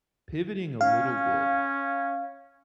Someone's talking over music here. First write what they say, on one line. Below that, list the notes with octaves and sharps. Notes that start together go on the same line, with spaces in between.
pivoting a little bit,
C#4 F5